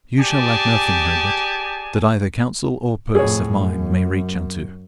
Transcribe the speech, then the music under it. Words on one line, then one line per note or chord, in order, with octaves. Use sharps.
'You shall lack nothing, Herbert, that either counsel or purse of mine may reach unto.'
G4 G#4 D5 G#5 A5
F2 A2 G#4 C#5
F#2